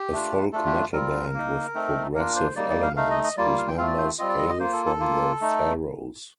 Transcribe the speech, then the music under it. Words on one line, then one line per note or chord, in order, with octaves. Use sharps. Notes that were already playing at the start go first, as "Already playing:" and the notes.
A folk metal band with progressive elements, whose members hail from the Faroes.
Already playing: G4
A3 D4 F4
A3 D4 F4 A4
G4
G3 C4 F4 A#4
A#3 D#4
A3 C4 D#4
A#3 D4 F4 A#4
C5
G3 A#3 D#4 D5
D5
F5
A3 D#4 F5
D#5
D#5
G3 A#3 F4 D5
F5
G5
A3 C4 F4 F5
D5
C5
G3 C4 F4 D#5
D5
D#5
D#5
A#3 F4 C5
A4
A4
A#3 F4
A3 D#4